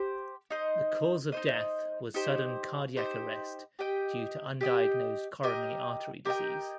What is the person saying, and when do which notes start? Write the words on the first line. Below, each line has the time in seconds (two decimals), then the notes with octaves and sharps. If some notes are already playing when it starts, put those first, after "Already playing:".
The cause of death was sudden cardiac arrest due to undiagnosed coronary artery disease.
Already playing: G4 C5
0.50 D#4 C5 D#5
1.32 D#4 C5 D#5
2.14 D#4 G4 C5
2.97 D#4 G4 C5
3.79 G4 D#5 G5
4.61 G4 D#5 G5
5.43 G4 A#4 D#5 G5
6.25 G4 A#4 D#5 G5